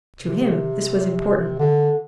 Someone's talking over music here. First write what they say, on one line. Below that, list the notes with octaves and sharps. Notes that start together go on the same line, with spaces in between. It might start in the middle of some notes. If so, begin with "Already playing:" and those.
To him this was important.
C3
D3